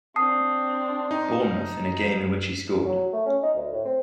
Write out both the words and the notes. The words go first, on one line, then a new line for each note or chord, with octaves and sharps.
Bournemouth in a game in which he scored.
C4 D4 A5 D#6 C7
D#4
F#3
A3
C#4
D#4
D2
A2
C4